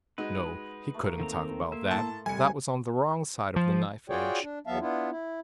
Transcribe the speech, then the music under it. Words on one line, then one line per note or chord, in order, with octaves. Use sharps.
No, he couldn't talk about that; that was on the wrong side of the knife-edge.
G#3 D#4 F#4 B4 D#5
A3 A#3
D#3 C4 A#5
A#3 E5 C6
A2 A5
F1 G3 G#5 C#7
F3
F4 F#4 G#4 C#5 D5 G5
D4
E2 F#3 B3 E5 F5 A5
B3 D4 E4 F4
E4